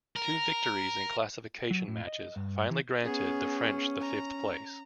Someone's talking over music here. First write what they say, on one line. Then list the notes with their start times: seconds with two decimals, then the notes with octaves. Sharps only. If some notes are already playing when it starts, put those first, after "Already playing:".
Two victories in classification matches finally granted the French the fifth place.
0.16 A#4
1.71 F#3
1.88 A2
2.07 D#5
2.36 G2
2.70 E3
3.05 B3 C#4 G#4
4.01 A#5